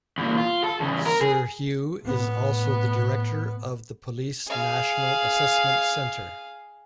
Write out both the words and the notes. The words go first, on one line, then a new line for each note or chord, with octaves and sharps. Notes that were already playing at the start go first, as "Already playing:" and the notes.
Sir Hugh is also the director of the Police National Assessment Centre.
E2 A#2
F4
A4
E2 C#3
A#4
G#4
A2 B3
G#4 F5